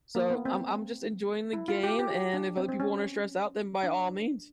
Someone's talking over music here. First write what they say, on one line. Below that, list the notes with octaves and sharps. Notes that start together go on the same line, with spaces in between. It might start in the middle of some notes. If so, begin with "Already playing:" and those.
so, I'm I'm just enjoying the game, and if other people wanna stress out, then by all means.
A#3
B3
C4
E4
F4
G4
G4
G4
D4
C4
C4
C#4
D4